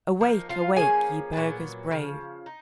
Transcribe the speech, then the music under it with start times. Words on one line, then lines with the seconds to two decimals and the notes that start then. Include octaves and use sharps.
Awake, awake, ye burghers brave!
0.21 F3 A#3 D#4
0.49 F4 F5
0.77 F3 A#3 C#4 G#4 G#5
1.33 A#2 F#3 B3
1.91 C#3 F3
2.46 D#4